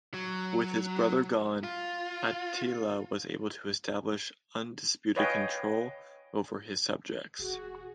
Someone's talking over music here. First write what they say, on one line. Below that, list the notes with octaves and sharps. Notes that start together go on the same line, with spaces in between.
With his brother gone, Attila was able to establish undisputed control over his subjects.
F#3
F4
B4 C#5 D#5 F5 G5 G#5
E1 F#4 G#4